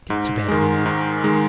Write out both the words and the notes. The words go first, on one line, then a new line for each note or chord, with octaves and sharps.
Get to bed, will you?
G#2
D#3 G#3
G#2
D#3 G#3